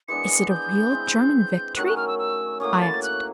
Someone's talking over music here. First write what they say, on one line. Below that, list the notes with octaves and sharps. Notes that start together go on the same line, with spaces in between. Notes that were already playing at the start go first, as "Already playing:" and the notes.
"Is it a real German victory?" I asked.
E3 G#3 B3 D4 C#7
G6
G#3 C4 E4
D#3 F#3 A3 C#4 F#6
F#6
F6
E6
E6
A2 F#3 A#3 C#4 D#6
A6
F#6